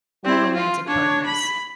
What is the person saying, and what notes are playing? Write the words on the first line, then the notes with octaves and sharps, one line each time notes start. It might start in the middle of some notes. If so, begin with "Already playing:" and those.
or romantic partners.
C4 E4
F4
D4 C#5
B5